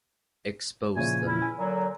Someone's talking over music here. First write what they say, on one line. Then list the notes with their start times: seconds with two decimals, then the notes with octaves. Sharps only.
Expose them.
0.97 A#2 C#3 F3 E4 C#5 G#5
1.25 E2 C#4 E4
1.42 G#5
1.58 A#2 D3 F#3